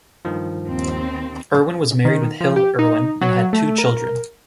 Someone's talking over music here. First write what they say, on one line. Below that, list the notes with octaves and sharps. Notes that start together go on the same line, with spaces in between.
Erwin was married with Hille Erwin and had two children.
G2 D#3 F3
D#2 C4
D#3
F3
G4
D#4
F#3
A3
A#4